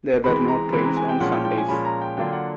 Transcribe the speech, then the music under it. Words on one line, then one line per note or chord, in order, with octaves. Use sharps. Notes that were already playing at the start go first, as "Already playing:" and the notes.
There were no trains on Sundays.
E3 G#3 C4 B5
A#5
E3 G#3 C4 B5
A#5
G#5
G5
A#2 F3 G#3 C#4 F#5
G5
G5
G#5
A#2 F3 G#3 C#4 B5
A#5
G5
D3 F#3 A#3 D4 F4 G5
F#5